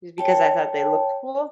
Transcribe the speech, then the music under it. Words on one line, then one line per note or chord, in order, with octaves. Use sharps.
just because I thought they looked cool.
C#5 G5 A5